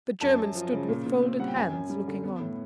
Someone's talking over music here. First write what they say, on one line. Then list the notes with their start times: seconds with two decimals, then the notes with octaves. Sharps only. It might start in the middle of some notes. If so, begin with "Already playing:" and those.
The German stood with folded hands looking on.
0.21 F#2 A5
0.38 F#2
0.55 F3
0.72 C#3
0.89 A#2
1.06 A#2
1.23 C4
1.39 G3 F#5
1.48 G5
1.56 F#2 G#5
1.73 F#2
1.89 G3
2.07 D3
2.24 B3
2.40 A2